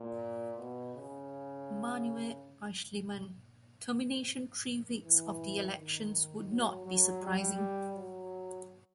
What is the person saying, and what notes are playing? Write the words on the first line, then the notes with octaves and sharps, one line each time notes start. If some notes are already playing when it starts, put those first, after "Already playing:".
Manuel Aeschlimann, termination three weeks of the elections would not be surprising.
Already playing: A#2
B2
C#3
E3
D#3
F#3
F#3
G3
F#3